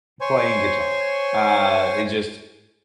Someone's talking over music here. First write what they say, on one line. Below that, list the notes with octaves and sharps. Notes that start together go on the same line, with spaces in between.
playing guitar. Uh, it just
C5 C#5 G#5 C6 C#6